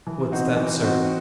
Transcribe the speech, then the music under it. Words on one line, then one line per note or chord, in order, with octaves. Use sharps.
"What's that, sir?"
E3
C4 D#4 F#4
E3
C4 D#4 F#4